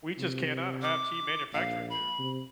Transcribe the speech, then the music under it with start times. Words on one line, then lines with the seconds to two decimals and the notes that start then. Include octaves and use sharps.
We just cannot have cheap manufacturing here.
0.19 C3
0.82 D6
1.53 A#1 F5
1.90 B5
2.18 C3